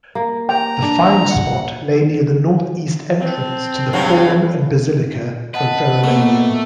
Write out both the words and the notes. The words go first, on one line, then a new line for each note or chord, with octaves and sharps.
The find-spot lay near the north-east entrance to the forum and basilica of Verulamium.
A#3
G5 A#5
D4
F#5
C4 A5
G2 C#3 F#3
B4 D#5 F#5 A5
B2 A3 A#3